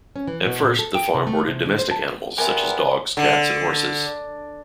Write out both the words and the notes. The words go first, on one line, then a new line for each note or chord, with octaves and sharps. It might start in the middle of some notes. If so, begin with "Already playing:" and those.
At first, the farm boarded domestic animals such as dogs, cats, and horses.
C#4
E3
B2
A#2
A4
G5
C3
A3
C3
D3
C5
A5
E2 C3 B3 A#4 G#5
D3